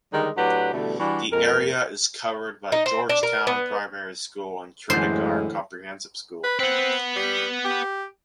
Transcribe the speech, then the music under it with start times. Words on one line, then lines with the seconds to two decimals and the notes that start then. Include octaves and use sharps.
The area is covered by Georgetown Primary School and Tredegar Comprehensive School.
0.12 D3 D#3 G3 G#3 D4
0.36 A2 F#3 D4 G4 B4 F#5
0.73 B2 D3 E3 G3 A3
0.99 E3 G3 D4 F#4
1.32 F2 A#2 G#3 A#4
2.72 D#4
2.86 C4
3.09 D4
3.23 A#4
3.47 B3
4.90 F#2 A2 D3 E3 G#3 C5
6.43 B4
6.59 C4 B4 F#5
7.16 G3
7.64 G4